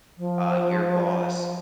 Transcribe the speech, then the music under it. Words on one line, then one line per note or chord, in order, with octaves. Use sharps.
uh, your boss,
F3